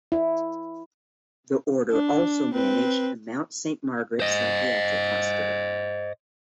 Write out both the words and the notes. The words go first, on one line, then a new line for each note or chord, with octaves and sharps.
The order also managed the Mount St Margaret psychiatric hospital.
E4
D4
C4 B4
C5 D#5